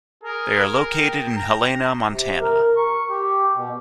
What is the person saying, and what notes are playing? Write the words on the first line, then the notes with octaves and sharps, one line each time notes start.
They are located in Helena, Montana.
G#4 A#4
G5
A#5
C3
A#4
C#6
G4
B2